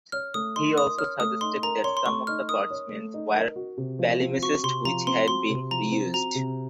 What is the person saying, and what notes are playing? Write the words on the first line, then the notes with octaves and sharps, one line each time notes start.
He also suggested that some of the parchments were palimpsests which had been reused.
C#5 F6
A3 D#6
D#4 C6
A#4 D#6
C#5 F6
A3 D#6
D#4 C6
A#4 A#5
C#5 C6
C6
A3 C#6
D#4 F6
A#4 D#6
C#5
A3
D#4
A#4
F#4
C3
F3
C4
F#4 C#6
C3 C6
F3 A#5
C4 C6
F#4 C6
C3
F3 A#5
C4
F#4 A#5
C3